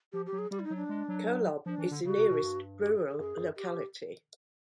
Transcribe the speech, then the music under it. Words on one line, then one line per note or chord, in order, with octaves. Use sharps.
Kolob is the nearest rural locality.
F3 G4
G4
F#3
G#4
G3 G4
E4
D#4
F#3
D4
G#3
F#3
F3 D4
E3
D3
C#3 F#4
C3
B2
G2
G4
G#4
G#4
F#2 G#4
F#2
G4